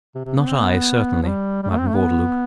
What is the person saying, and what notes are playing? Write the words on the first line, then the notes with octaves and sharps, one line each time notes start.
"Not I, certainly, Madam Gordeloup."
C3
C3
B3
C4
B3
F3
G3
G3
A3
C4
A3
B3